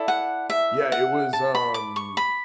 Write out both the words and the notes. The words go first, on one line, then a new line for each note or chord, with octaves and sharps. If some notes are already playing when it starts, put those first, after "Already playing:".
Yeah, it was, um
Already playing: E4 A4 D5
F#5
E5
F#5
A5
B5
D6
C#6
B5